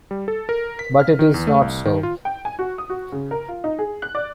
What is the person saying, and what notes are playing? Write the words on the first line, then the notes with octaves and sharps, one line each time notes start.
But it is not so.
G3
A4
A#4
B6
F6
D#3
E2
A3
C2
D#3
F4
G5
G#5
F#4
D#6
F#4
C#3
A#4
F4
D#4
G#4
F#6
D5